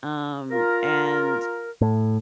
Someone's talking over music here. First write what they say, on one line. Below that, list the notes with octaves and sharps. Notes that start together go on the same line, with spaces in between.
um, and,
F4 A#4
A2